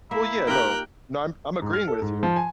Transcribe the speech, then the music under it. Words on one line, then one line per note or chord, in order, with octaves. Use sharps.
Well, yeah, no. No, I'm I'm agreeing with you.
A#3 E4 E5
D#4 F4 G4 A#4 G5 F#6
G#2
F6
A4
G#2
F3
G#5